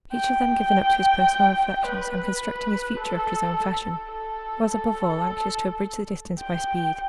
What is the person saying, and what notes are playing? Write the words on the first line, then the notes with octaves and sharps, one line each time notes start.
Each of them given up to his personal reflections, and constructing his future after his own fashion, was, above all, anxious to abridge the distance by speed.
G5
B4
A4
A4
A4
A4
G5